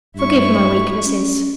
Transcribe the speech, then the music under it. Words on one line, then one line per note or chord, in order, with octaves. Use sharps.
Forgive my weaknesses.
G2 E4 C#6
C#4